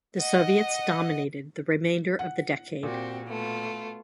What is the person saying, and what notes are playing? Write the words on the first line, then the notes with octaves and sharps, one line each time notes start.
The Soviets dominated the remainder of the decade.
D#5 F#5
F#5
A#2 C4 F#4 G4
B2 A3 F4